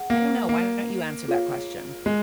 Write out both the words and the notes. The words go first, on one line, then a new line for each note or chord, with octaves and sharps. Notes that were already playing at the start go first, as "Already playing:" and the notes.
I don't know, why don't you answer that question?
Already playing: G#4 F#5
A#3
A#3
F4 G#4 C#5 F5
G#3